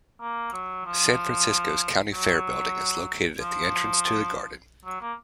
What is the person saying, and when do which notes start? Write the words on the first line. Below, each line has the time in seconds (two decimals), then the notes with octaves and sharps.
San Francisco's County Fair Building is located at the entrance to the garden.
0.20 A#3
0.52 F#3
0.85 F3
2.13 F#3
3.41 F3
4.85 F#3
5.01 A#3